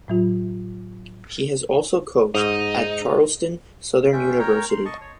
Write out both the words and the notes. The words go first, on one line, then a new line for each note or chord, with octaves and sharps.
He has also coached at Charleston Southern University.
A2 F#3 F4
G#2 D#4
G#3 C#4 E5 G5
A#4 C#5 G5 A#5
C6
D#5 A5 C#6
C#5